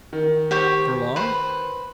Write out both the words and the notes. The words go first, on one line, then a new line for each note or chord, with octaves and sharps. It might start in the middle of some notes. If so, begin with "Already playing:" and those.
"For long?"
D#3
G4 C5 C#6
B4 C5